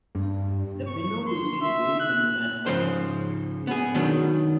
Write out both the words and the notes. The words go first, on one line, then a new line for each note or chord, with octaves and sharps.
The pinout usage varies among manufacturers.
G2
C#6
C6
E5
F#6
G#2 C#3 F3 C5
B3 G#4
B2 D#3 F#3 D4